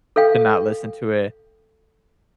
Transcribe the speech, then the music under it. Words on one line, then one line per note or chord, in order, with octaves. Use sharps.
to not listen to it.
A4 C#5 F5 G5